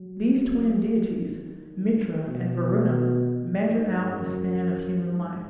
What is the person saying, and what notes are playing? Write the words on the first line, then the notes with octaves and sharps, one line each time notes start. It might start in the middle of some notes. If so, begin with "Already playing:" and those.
These twin deities, Mitra and Varuna, measured out the span of human life.
Already playing: F#3
F#3
D#3
B2
G#2
F#2
G#2